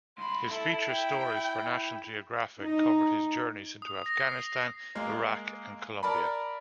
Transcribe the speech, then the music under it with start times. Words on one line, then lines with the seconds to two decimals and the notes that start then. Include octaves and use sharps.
His feature stories for National Geographic covered his journeys into Afghanistan, Iraq and Colombia.
0.18 C2 B5 C6
0.51 E4 A4
0.88 G5
2.61 D#4
3.82 D#6
4.06 A#6
4.29 C7
4.95 G#3 A#3 A#4
6.03 A#4 D5 A5 B5